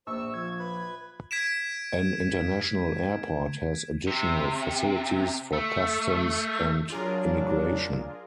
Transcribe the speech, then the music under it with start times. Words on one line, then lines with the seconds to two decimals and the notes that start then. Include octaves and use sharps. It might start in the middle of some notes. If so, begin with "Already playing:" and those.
An international airport has additional facilities for customs and immigration.
0.07 A#1 C5 C#6 E6
0.34 F3 G#6
0.59 B4
1.31 G#6 B6 D7 E7
4.07 C3
5.53 A3
6.90 F#3 D4 F4 G#4 A#4